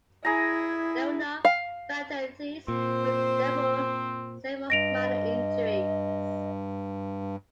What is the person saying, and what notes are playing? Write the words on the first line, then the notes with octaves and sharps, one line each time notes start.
There were no fatalities, but there were several minor injuries.
E4 G#4 A#5
F5
A#2 C4 C5
G2 D#5 A#6 D7 F7